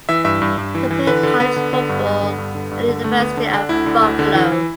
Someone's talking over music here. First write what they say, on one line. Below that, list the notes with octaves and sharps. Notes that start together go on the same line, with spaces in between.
He played college football at the University at Buffalo.
E3 E5
G2 E5
G2
G2
E3
E3
D3 B4
D3
D3 B3
D3
D3
G2
G2
D3
G2
D3
G2
D3
D3 A3
D2 B3
D3
D3 D4
D2 E4
D3
D2
D3
E3
E3